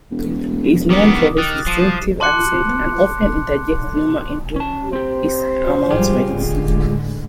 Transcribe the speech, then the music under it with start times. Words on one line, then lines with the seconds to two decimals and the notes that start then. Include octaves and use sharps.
He is known for his distinctive accent, and often interjects humour into his announcements.
0.11 E1
0.90 D#3 B3 D6 D#6
1.38 D#3 D#6 F#6 A6
1.67 F3 C7 D#7 E7
2.20 A5 C6 D6 F#6 C#7
4.56 C#4 A5
4.93 C4 G4 C5
5.90 G#1 F3 G3 F4 G4 G#4
6.33 A2 D3 G#3